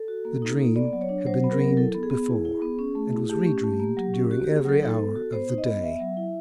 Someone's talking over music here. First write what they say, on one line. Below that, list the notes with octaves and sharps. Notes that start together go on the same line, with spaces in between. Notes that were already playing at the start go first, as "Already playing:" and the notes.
The dream had been dreamed before, and was re-dreamed during every hour of the day.
Already playing: A4
F#4
A#3
D#4
A#3
B3 D5
F#3
C#5
D4
F#3 C5
B3
A#4
F#3
E4 A4
B3
G#4
B3
E4
E4
B3
C#4
A3
E4
A3 G4
C#4
A3
A#3
F#3
C#4
F#4
A#3 G4
G#4
F#3 A4
D#4
B3
F#4
B3 C5
D#4
D#5
B3
B3 E5
F#3
E4